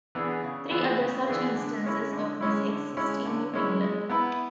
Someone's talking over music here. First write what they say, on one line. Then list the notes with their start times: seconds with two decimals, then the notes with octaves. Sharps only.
Three other such instances of this exist in New England.
0.15 E3 B3 D4 G#4
0.43 C#3
0.71 E3 B3 D4 G#4
1.00 C#3
1.28 E3 B3 D4 G#4
1.56 D3
1.84 G#3 C#4 E4
2.12 D3
2.41 G#3 C#4 E4
2.68 D3
2.97 G#3 C#4 E4
3.26 D3
3.54 G#3 C#4 E4
3.81 G#3
4.09 B3 E4 B4